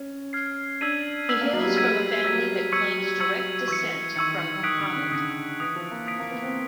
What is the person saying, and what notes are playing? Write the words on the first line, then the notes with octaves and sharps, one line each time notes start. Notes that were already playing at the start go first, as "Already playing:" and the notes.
He hails from a family that claims direct descent from Muhammad.
Already playing: C#4
F6 G#6 C7
D4 E6 G#6 B6 D#7
B3 E6 G#6 B6 D#7
A#3
F#3
G3
G#3 E6 G#6 B6 D#7
G3
F#3 E6 G#6 B6 D#7
F#3 C#6 E6 G#6 C#7
G3
F#3 C#6 E6 G#6 C#7
E3 C#6 E6 G#6 C#7
D#3 C#6 E6 G#6 C#7
D#3 D#6 F#6 B6 D7
D3
C#3
D3 D#6 F#6 B6 D7
E3 D#6 F#6 B6 D7
F3
A#3
D#6 F#6 B6 D7
A#3
B3
C4